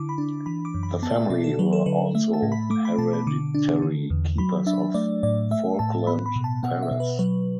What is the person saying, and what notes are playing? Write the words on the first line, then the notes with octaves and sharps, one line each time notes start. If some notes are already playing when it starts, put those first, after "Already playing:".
The family were also hereditary keepers of Falkland Palace.
Already playing: D3 E4 D6
B5
D4
E3 B5
D6
F#2
B5
B3 A5
D5
E5
B2 D5
A4
F#3 B4
A4
D3 B4
A3 E5
A5
A2
B5
A3 D6
B5
B2 A5
B5
D3 D6
D4
D3
E2
F#3 B5
D4 E5
A3 D5
A2 D5
A3 E5
A2 A5
B3 B5
B5
B2
A5
B3 F#5
E5
B2
B4
F#3 B4